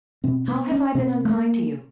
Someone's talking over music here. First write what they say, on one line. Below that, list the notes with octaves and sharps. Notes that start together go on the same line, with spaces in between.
"How have I been unkind to you?"
B2 C4
B3
C#4
B2 C4
A3
A#3